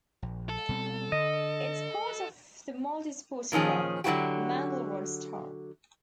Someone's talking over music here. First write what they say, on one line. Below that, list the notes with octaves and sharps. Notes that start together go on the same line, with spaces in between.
It's part of the multi-sport club Manglerud Star.
A#1
A4
B2 G3 C4
D3 D#5
A#2 D#3 F3 C#4 G#4
D3 F#3 B3 E4 F#4 G4